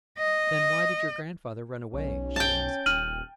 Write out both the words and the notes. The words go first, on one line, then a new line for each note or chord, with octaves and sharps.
"Then why did your grandfather run away?" she asked.
D#5
B1 C#4
G5 A5
D#1 F6 D#7 F#7